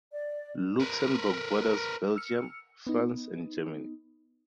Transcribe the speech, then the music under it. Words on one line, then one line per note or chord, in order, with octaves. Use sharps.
Luxembourg borders Belgium, France and Germany.
D5
A#4 B4
E6 F6 C#7
B3 D#4